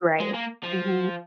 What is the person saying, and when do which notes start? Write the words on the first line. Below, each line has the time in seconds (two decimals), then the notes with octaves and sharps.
Right. Mhm.
0.20 G#3
0.34 A#3
0.64 F3